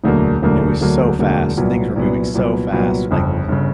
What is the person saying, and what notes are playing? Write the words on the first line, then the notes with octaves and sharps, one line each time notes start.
And it was so fast; things were moving so fast. Like, whe
E1 D2 D3 F#3 A#3
E1 D2 D3 F#3 A#3
E1 D2 D3 F#3 A#3
E1 D2 D3 F#3 A#3
C2 A#2 F#3 B3
C2 A#2 F#3 B3
C2 A#2 F#3 B3
C2 A#2 F#3 B3
G1 F2 C#3
G1 C#3